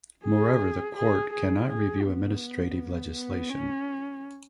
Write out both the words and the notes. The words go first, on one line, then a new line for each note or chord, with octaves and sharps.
Moreover, the court cannot review administrative legislation.
G#4
G#4
G#4
G#4
B3
B3
C#4